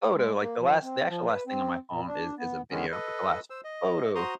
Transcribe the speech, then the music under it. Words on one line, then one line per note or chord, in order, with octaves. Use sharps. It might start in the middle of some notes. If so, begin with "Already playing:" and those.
photo, like, the last the actual last thing on my phone is is a video, but the last photo
G#3
A#3
F3
C4
F3
B4
C4
A#2
D4
B3
D3 D#3 G#3 B3 C#4
A4 B4 D#5
C5 E6
D#5
F#4 C5 A#5 C6 D#6